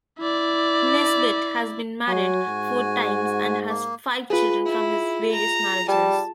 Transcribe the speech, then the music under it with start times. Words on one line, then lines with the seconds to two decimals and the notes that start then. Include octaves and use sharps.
Nesbitt has been married four times and has five children from his various marriages.
0.19 E4 D5
2.07 F#3 F#4 G#5
2.48 G#2
3.69 A#3
4.30 F4 G#4 B4
4.66 E4
5.32 A#5
5.88 G3 A5